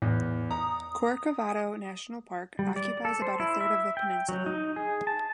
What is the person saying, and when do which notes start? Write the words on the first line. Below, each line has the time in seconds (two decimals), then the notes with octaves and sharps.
Corcovado National Park occupies about a third of the peninsula.
0.02 E2 A2
0.51 A#5 D#6
2.59 G3
2.76 D5
3.05 A4
3.22 C5
3.40 E4
3.61 E5
3.97 G5
4.29 F#3
4.46 D#4
4.76 G#4
5.07 A5